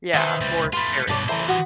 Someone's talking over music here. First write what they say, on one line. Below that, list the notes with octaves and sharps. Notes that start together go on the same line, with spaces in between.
Yeah, more spiritual.
D#3 B4 C5 E5
C#2 G3
A3 F4 B5 C6
G2 B2 C#5 D5 A5
E3 E4 A4 C5 A#5
F#4 D#6